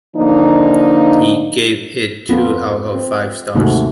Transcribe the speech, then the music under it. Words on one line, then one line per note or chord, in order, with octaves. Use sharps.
He gave it two out of five stars.
D3 F3 A#3 D4 D#4
F2 B3 F4 A4
C4
D#2 G#2 C3 A3 F#4